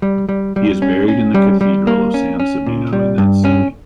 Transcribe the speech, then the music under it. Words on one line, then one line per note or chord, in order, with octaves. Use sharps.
He is buried in the Cathedral of San Sabino in that city.
G3
G3
G3
C#4
C#4
G3
G3
A#3
C#4
C#4
A#2
G3
G2
C#4